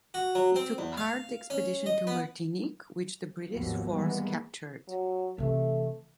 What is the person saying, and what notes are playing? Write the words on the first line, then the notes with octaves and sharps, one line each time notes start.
It took part the expedition to Martinique, which the British force captured.
F#4
F#3
C4
E2
F5
C#4
D#5
B3
G#1 D#2 F3 F#3 A#3 B3
D#3 E3 G3 G#3 A#3 B3
F#3
C3 E3 A3